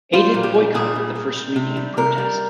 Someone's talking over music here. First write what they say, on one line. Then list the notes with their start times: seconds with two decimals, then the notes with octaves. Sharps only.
Aidid boycotted the first meeting in protest.
0.13 G3 F4
0.34 A#2
0.43 G4
0.54 G3
0.74 A#2 G#4
0.95 G3
1.15 A#2
1.36 G3
1.56 C3
1.77 G3
1.97 C3 A#4
2.18 G3